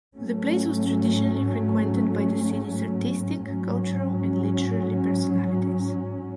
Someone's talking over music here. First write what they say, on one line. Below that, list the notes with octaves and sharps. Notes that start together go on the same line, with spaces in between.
The place was traditionally frequented by the city's artistic, cultural and literary personalities.
G#2 F#3 A3 C#4
G#2 F#3 C#4